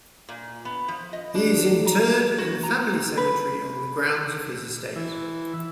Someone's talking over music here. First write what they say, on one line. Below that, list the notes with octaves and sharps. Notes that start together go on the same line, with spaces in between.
He is interred in the family cemetery on the grounds of his estate.
A#2
B3
F3
D#5
D4
A#5
F#4
A#5
B4
E3